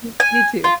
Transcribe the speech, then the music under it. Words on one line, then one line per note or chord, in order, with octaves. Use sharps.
Y you too.
G#5
F4